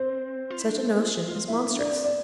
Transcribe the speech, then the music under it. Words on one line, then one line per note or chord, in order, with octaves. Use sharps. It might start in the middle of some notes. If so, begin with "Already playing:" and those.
Such a notion is monstrous.
Already playing: C4 C5
F4
E4
D4
C4
B3
F4
G#4
F4
E4 E5
D4
D5
C4
D5